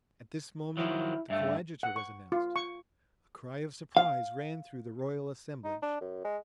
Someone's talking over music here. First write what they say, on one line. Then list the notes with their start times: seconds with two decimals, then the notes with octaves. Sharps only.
At this moment the coadjutor was announced; a cry of surprise ran through the royal assemblage.
0.77 D#3 F3 F#3 E4
1.30 G2 A3 E5
1.83 F#5
1.96 C#6
2.32 F4
2.56 C#6
3.97 F5
5.64 D#4
5.83 D4
6.01 F#2
6.25 G#3